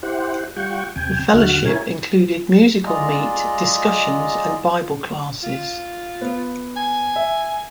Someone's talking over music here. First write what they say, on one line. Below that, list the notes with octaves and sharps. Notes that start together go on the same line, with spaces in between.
The fellowship included Musical Meet, Discussions and Bible Classes.
E4 G4 C5 F#5
G3 F4 F#5 G5 C#6
D#2 C3 G5 G#5
D#2 D3 F#4 F6 F#6
E4 A#4 C#5 G#5
G#3 F4 G#4 D5 D#5 A#5
F4
B3
G#5
E5